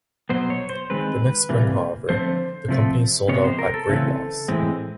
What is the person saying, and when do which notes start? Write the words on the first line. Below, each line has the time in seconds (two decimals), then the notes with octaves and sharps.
The next spring, however, the company sold out at great loss.
0.29 B2 F#3 B3 C5
0.50 C#5
0.69 C5
0.90 D#3 G#3 C4 B4
1.49 C3 E3 G3 A#3
2.09 D3 F3 A3 C4 C5
2.68 C3 F3 A3 C4
3.29 C3 F3 G#3 B3 C#5
3.44 C5
3.59 A#4
3.74 A4
3.89 C#3 E3 A3 C4
4.48 A2 E3 G#3 C4